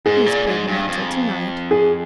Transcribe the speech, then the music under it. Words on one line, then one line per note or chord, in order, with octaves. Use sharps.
He's paid me up till to-night.
G#2 G#4
A#2
G#2
G2
F2
G#4